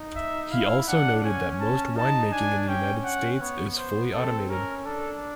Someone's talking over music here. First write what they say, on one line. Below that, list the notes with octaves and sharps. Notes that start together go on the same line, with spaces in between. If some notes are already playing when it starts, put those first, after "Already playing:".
He also noted that most winemaking in the United States is fully automated.
Already playing: D#4
E5
E4 F5
D4 F#5
C#4 G#5
A5
D#4 A5
D4 G#5
C#4 G5
F#5
B3 C#5
C5
C4 A4
C#4 A#4
D4 A4